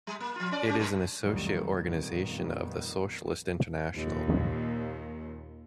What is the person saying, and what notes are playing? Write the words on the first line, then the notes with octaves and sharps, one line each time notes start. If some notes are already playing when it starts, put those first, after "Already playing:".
It is an associate organisation of the Socialist International.
G3
A#3
F3 F4
C#4 D5
C#4 G4
A#2 D#3 G3
C2 F2 D#3 F#3 G3 A3
F2 A#2 D#3 G3 B3
D#2 A#2